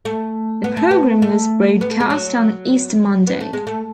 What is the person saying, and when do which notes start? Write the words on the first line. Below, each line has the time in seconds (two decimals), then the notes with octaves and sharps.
The programme was broadcast on Easter Monday.
0.05 A3
0.64 B3
0.77 A3
0.91 B3
1.22 A3
1.81 B3
1.91 A3
2.00 G#3
2.10 F#3
3.27 B3
3.40 A3
3.53 G#3
3.67 A3